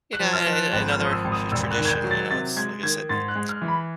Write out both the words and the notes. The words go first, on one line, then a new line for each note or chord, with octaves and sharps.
yeah, a a another tr tradition, you know, it's like I said, m m
F#6
F3
F6
F3
F#6
G#1 F#6
F6
F3
D#6
E6
G#1
D#6
E1 E6
F#6
D#3
G#6
G6
F#3
A6
C3 A6
G#3 G#6
D#3 G#6
G#2 A6
F#6
G#3
F6
E3
B5